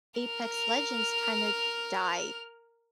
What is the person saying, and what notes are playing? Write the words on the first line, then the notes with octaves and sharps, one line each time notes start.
Apex Legends, kinda, died
A#4 F6